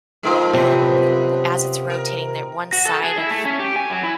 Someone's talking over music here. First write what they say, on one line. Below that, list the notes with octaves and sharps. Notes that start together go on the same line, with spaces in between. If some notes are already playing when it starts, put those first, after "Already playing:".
and w as it's rotating, that one side of
F3 G#3 C4 D#4 A#4 D#5
F#2 C3 B4
F#5
A#4
F#4
A4
G#4
E4
A3
C#4
G4
G#5
F#3
E4